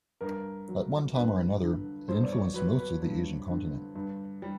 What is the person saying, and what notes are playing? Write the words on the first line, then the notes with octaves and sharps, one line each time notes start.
At one time or another, it influenced most of the Asian continent.
G2 A#4
F#3
G2 B4
D3
G2 C5
D5
C#5
F#3 B4
B4
G2
D3
G2
G3